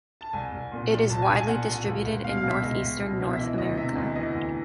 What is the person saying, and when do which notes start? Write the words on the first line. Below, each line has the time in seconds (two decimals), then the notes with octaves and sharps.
It is widely distributed in northeastern North America.
0.21 A5
0.33 C2 G#5
0.52 C2
0.72 A#2
0.91 A#2
1.09 C2 A5
1.22 G#5
1.29 C2
1.35 G#5
1.48 A#2 F#5
1.67 A#2
1.86 C#2
2.05 C#2
2.24 B2 F5
2.37 F5
2.43 B2
2.49 E5
2.62 C#2 D#5
2.82 C#2
3.01 B2
3.19 B2
3.33 E5
3.39 E3 D#5
3.58 D2 D#5
3.77 C3 E5
3.96 D2 D#5
4.15 E3 D#5
4.35 D2